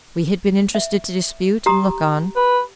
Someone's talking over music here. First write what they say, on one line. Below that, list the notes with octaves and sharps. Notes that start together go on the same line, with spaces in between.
We had been interested to dispute and look on.
E5
G4 A#5 D#6
B4